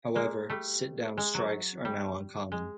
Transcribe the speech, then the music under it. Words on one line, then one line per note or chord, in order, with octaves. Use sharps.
However, sit-down strikes are now uncommon.
G#3 A#3
G3 A3
G#3
F#3
G3
G#3